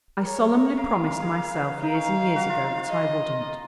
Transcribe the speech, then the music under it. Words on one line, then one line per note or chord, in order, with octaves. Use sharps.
I solemnly promised myself years and years ago that I wouldn't.
A#4
G#4 C#5
A#4
A#4 F5
A#4
G#4
A#4
B4
D#4 F5
C#4
D#4
F#4
F4
D#4
F4
D#5